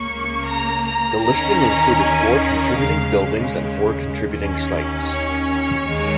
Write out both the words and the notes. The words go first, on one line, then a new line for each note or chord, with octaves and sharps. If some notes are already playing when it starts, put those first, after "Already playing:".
The listing included four contributing buildings and four contributing sites.
Already playing: C#2 C#3 A#3 C#6
A#5
A#5
D#2 D#3 C#4 A#5
G#5
A#5
D#2 C#3 G#3 F5
D#2 D#3 C#4
C#5
D#2 D#3 G#3